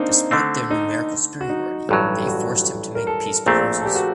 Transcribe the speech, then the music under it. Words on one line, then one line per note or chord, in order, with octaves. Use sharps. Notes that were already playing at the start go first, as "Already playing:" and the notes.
Despite their numerical superiority they forced him to make peace proposals.
Already playing: A#3 C4 D4 D#4
D3 A3 C4
D#4
F#4
D#4
A1 G2 F#3
F#4
A#4
A4
A#1 A#2 A3 C4
A4
G4
F#4